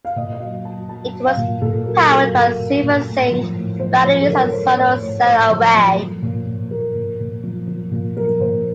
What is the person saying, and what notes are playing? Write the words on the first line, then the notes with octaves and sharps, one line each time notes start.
It was powered by silver-zinc batteries and a solar cell array.
F5
A#2 D#5
D#5
F#3 F5
F#3 A5
F#3 A5
F#3
F5
A#2
A#2 A4
F#3 A#4
F#3 A4
A#2 A#4
A#2
A#2
A2
F3
A2
F3 C5
F3 C#5
A4
F3 A#4
F3 C5
C5
A2 C#5
A2 C#5
A2 C5
F3
F3
F3
A#2
A#2
F3 A#4
A#2
A#2
F3
F3
A#2
F3 A#4
A#2 C5